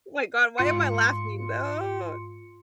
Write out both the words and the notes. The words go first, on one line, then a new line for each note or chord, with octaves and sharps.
my god, why am I laughing? No,
G#2 F4 C6 C#7